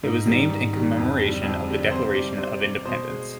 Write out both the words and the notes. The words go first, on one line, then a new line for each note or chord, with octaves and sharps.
It was named in commemoration of the Declaration of Independence.
G#2 D#4
D#3 G3
G#2
D#3 G3
F2
D3
G3
F2
D3 G3
C3 C5
G3 D5
D5
C3 C5
G3 D5
B2 C5
G#3